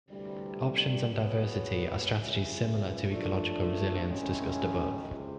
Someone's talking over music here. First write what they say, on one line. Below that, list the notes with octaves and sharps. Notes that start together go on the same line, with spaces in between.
Options and diversity are strategies similar to ecological resilience discussed above.
D2 C3 E3 G3
F#3 B3 E4 G#4 C#5
C#2 C#3 E3
F3 A3 D4
F#2 D#3 G#3 C#4 E4
C#2 C3